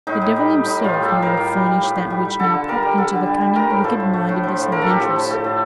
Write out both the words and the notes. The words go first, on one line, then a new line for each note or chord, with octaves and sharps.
The devil himself might have furnished that which now popped into the cunning, wicked mind of this adventuress.
A2 D#4
A2
G3
G3
A2 D#4
A2 F4
G3
A4
G3
A2 A#4
A2
G3
G3
A2
A2
G3
G3
D3 A4
D3
G3 A#4
G3
D3 A4
D3
G3
G3
A3 A#4
A2
F3 A4
A2
A3
A2
F3
A2
A3 A#4
A4
A2 G4
F3 A4
A2
A3 A4
A2